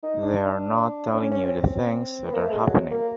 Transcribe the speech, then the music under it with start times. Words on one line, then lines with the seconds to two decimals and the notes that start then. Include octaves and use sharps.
They are not telling you the things that are happening.
0.03 D#4
0.22 D4
1.13 C4
1.18 C#4
1.31 C#4
1.44 C4
2.27 B3
2.33 A#3
2.43 A3
2.53 G#3
2.62 F#3
2.91 A#3